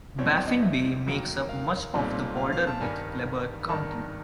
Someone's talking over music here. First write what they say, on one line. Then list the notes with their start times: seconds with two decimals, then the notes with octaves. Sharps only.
Baffin Bay makes up much of the border with Kleberg County.
0.18 E2 B2 G3 C4 C#5
0.33 D5
0.47 D#5
0.62 E5
1.06 F1 D#2 D#3 F#3 A#3
1.49 F5
1.94 B1 A#2 G3 C4
2.37 F5
2.52 F5
2.67 A5
2.81 G2 D#3 G3 G#5
3.69 G#1 G2 D#3 A5
3.91 A#5